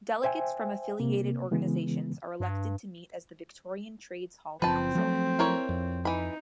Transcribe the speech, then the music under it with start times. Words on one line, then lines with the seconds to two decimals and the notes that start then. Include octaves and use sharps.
Delegates from affiliated organisations are elected to meet as the Victorian Trades Hall Council.
0.24 C5 E5 G5 G#5
1.00 C3 A#3
1.51 C#3 E3 G#3 B3
2.40 G2
4.62 F#1 F3 C4 B4 A5
4.95 F3 F#3 A3
5.39 E4 A#4 C#5
5.69 F2
6.05 E3 D#4 B5